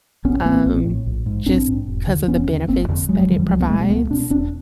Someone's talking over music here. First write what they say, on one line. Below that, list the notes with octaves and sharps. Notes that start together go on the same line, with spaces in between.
um, just 'cause of the benefits that it provides,
A#1 B3 C#4
A2 A#3 C4
A#1
A2
A#1
G#2
A#1 C4 D4
G#2
E1
D#2 D3
E1 B3 C#4
D#2 D3
G1 A#3 C4
F2 D3
G1 F#3 G#3
F#3 G#3
F2 D3 F3 G3
F3 G3
C#2 F#3 G#3
A3 B3
B2 G#3 A#3
G#3 A#3
C#2 A3 B3
B2 C4 D4
E1 C4 D4